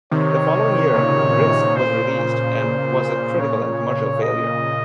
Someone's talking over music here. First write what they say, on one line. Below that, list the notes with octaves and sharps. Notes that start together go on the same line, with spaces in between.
The following year, "Risk" was released, and was a critical and commercial failure.
C3 D#3 C#5
A#2 C#3
C5
A#2 C#3 C#5
D#5